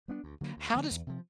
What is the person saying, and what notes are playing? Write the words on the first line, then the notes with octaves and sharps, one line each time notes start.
how does
G3 B3 D4
D2
D3 F#3 A#3
D2
D3 F3 A#3
E2
C3 F3